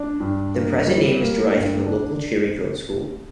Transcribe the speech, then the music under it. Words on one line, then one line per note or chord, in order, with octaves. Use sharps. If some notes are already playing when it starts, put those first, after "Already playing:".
The present name is derived from the local Cherry Grove school.
Already playing: D4
G2
A#3
G3
A#3
G2
D4